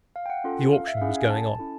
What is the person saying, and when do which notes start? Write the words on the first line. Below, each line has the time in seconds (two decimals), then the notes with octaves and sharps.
The auction was going on.
0.16 F5
0.26 G5
0.30 F#5
0.44 C#4 F4 A4
0.73 F5
0.87 E5
0.97 F5
1.01 C#4 E4 G#4 F#5
1.16 G#5
1.30 A5
1.59 C#4 E4 A4